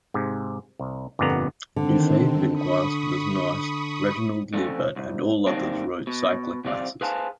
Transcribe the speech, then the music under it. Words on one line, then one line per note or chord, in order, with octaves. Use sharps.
Dufay, Binchois, Busnois, Reginald Liebert and others all wrote cyclic masses.
G#2 C3
C2
G1 F2 A#2 D3 B3 A#5
D3 D#3 C4
B5 C#6 D#6
D3 F3 G3 A3 C4 C#4
C2
F#2 D#3 G3 A#3 C4 D4
B2
C3 F3 G3 C4 D5 F5
G#4 B4 C5 F5 G#5 A5